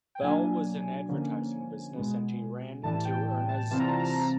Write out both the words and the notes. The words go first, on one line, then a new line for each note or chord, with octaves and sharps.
Bell was in advertising business and he ran into Irna's niece.
G5
B2 F#3 A#3 D4 G#5
D3 F3 A#3 C#4
B2 G#3 B3
A2 E3 G3 A5
G5
A5
C3 E3 G3 C4 F4 A5
A#5
A5
A#5